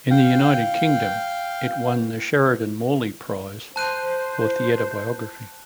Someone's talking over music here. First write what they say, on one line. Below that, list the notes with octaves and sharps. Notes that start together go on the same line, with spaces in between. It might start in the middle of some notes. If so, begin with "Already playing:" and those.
In the United Kingdom, it won the Sheridan Morley Prize for Theatre Biography.
F5 G5
C5 A5 F#6 D#7